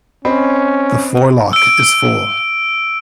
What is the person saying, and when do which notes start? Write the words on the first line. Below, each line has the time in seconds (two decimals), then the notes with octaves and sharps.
The forelock is full.
0.25 C4 C#4 D#5 B5
1.53 E6 D7